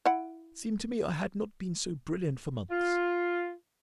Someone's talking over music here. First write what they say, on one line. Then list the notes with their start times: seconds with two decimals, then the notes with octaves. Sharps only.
It seemed to me I had not been so brilliant for months.
0.05 E4 F#5
2.70 F4